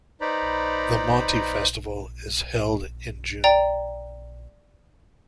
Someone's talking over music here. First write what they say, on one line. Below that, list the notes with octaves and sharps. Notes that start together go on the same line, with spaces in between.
The Monti Festival is held in June.
D#4 B4 C5 D5 A#5 B5
D5 G5 A#5